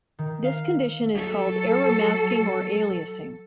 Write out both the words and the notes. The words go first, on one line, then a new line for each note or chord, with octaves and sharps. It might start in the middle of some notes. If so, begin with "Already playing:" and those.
This condition is called error masking or aliasing.
D#3
F5
F#3 A4